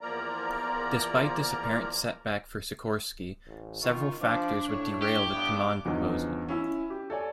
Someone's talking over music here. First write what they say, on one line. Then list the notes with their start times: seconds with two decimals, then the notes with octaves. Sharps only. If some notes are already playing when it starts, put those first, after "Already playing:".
Despite this apparent setback for Sikorsky, several factors would derail the Kaman proposal.
0.01 E2 F3 A#3 A#4 D5 A#5
3.46 A1
3.82 D#3 F4 C#6
4.21 F3 D4 D6
4.68 A2 C#5
5.02 G4
5.35 G2 B3 D6
5.85 E2 G2 F3 B3 C#4 D#4
6.49 C#4 E4 E6
6.90 G4
7.10 A4 C#5 D5 G#5